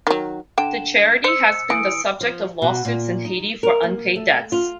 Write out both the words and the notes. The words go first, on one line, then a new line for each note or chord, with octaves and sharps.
The charity has been the subject of lawsuits in Haiti for unpaid debts.
D#3 F#3
D3 G5 E7
C5 E6 C#7
E3 D#6 D7
F3
B2
A#2
D#4
A#4
A#3
A3
F4